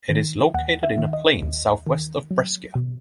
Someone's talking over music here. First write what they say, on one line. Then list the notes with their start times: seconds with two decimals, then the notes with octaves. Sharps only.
It is located in a plain southwest of Brescia.
0.10 D#3
0.54 D#2 F#5
0.83 E5
0.98 D#3
1.13 D#5
1.42 D#2
1.87 D#3
2.31 F#3
2.75 B2